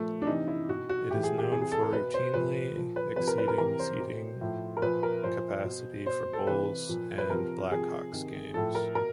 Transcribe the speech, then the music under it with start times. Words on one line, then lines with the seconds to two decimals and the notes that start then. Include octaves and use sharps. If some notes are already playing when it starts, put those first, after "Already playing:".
It is known for routinely exceeding seating capacity for Bulls and Blackhawks games.
Already playing: A#2 F3 A3
0.22 D4
0.27 C3 E3 D#4
0.48 E4
0.69 B2 F#4
0.89 F#4
1.10 A2 E3 G4
1.23 G#4
1.38 G4
1.51 C3 E3 G#4
1.62 G#4
1.72 A4
1.83 A#4
1.93 B2 B4
2.14 C5
2.34 A#2 F3 B4
2.75 A#2 F3
2.96 B4
3.16 C3 F3 B4
3.28 A#4
3.38 B4
3.48 A#4
3.58 C3 E3 A#4
3.79 C5
4.00 B2
4.41 A2 F3
4.77 A#4
4.82 A#2 F3 B4
5.03 A#4
5.24 A#2 F3 C5
5.64 B2
6.06 B2 C5
6.33 A4
6.47 C3 E3 B4
6.89 A#2 F3
7.18 B4
7.30 C3 F3 A#4
7.71 C3 F3 G#4
8.13 C3 D#3
8.54 A2 F3 A4
8.75 A#4
8.95 B2 A#4